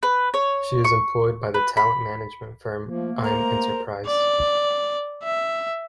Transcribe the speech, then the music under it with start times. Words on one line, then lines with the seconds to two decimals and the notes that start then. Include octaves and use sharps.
She is employed by the talent management firm I'm Enterprise.
0.03 B4
0.34 C#5
0.84 C#6
1.54 B4
1.77 B5
2.86 F3 A3 A#3
3.24 A#4 C5 A#5
4.06 D5
5.24 E5